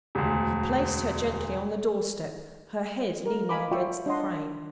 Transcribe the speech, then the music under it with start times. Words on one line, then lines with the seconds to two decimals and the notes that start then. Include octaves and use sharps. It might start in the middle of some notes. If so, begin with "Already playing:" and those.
He placed her gently on the door-step, her head leaning against the frame.
0.15 E1 D2
3.26 A#4
3.49 D#5 F5 G#5 B5 D6
3.71 F4 F#4 D5 E5 G5 C#6
4.06 D4 C#5 D#5 F#5 C6